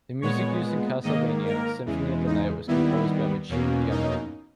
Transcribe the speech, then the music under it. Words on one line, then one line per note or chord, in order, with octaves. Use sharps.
The music used in "Castlevania: Symphony of the Night" was composed by Michiru Yamane.
A#2 G#3 B3 C#5
G#2 D#3 A#3 D#5
A#4
E2 C#3 E3 G#3
D#4
D#2 D#3 G3 B3 E4
E2 B2 A#3 C#4
D#4